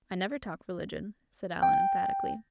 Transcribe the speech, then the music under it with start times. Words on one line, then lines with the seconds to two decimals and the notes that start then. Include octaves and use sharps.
"I never talk religion," said Alan emphatically.
1.63 G5